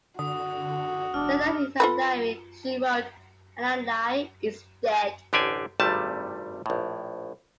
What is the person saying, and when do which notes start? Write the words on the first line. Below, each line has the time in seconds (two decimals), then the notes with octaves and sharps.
That night in her diary, she wrote, Adlai is dead.
0.19 D3 F#4 D#6
1.14 E1 D4 F6
1.80 F4 A4 B4
5.33 A1 D3 G4 C5 D5 G#5
5.80 G#1 G2 C3 G3 A3 A5
6.66 A#1 A2